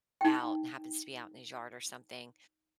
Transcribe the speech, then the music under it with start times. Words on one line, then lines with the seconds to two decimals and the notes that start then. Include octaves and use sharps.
out and happens to be out in his yard or something.
0.21 D#4 G5